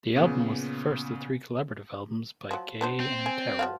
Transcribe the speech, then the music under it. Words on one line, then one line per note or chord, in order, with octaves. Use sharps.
The album was the first of three collaborative albums by Gaye and Terrell.
A#2 C#3 B3
F3 F#3
B3 D4 C5
C4
G#5
F3 F#4 F5